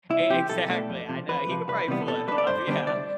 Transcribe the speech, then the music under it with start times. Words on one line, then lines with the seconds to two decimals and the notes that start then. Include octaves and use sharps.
E exactly, I know. He could probably pull it off, yeah.
0.10 C2 E4
0.30 C3 F3 C4 G4
0.49 B1 A4
0.69 B2 A3 D4
0.89 F2
1.09 C3 F3
1.29 E2 B4
1.49 C3 F3
1.69 C2 B4
1.88 C3 E3 G3 B3
2.08 B2 A4
2.28 G3 D4 B4
2.38 D5
2.47 G2 C5
2.67 D3 G3 B3 D4
2.87 C2 D5